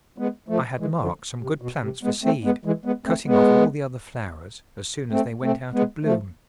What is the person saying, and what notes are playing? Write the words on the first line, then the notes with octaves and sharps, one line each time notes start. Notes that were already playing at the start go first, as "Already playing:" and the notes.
I had marked some good plants for seed, cutting off all the other flowers as soon as they went out of bloom.
G#3 B3
F3 A3
E3 G#3
D3 F3
C3
B2
C3
G#3 B3
A3 C4
G#3 B3
E3 G#3
G#3 B3
A3 C4
G#3 B3
A3 C4
A3 C4
G#3 B3
F3 A3